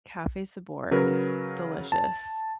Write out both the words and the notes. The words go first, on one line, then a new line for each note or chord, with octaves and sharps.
Cafe Sabor is delicious.
C#3 F#3 A#4 B4
A5